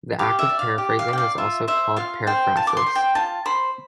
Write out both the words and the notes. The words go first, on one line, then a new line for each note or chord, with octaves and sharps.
The act of paraphrasing is also called "paraphrasis".
G4 F5
E5
D5
F5
G4
F5
D5 G5
F5
F4 E5
C5 E5
F4 F5
C5 G5
F4 A5
D6
C6
C5
G5
F4 A5
C5 B5